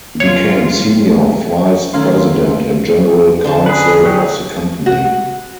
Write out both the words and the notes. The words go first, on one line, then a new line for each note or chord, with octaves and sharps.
He became senior vice president and general counsel of the company.
C#3 F#3 F4 C#5
D#3 A3 C#4 F5 C6
D3 C5 A5
G#4 B4
F#3 G4 G#4
F#4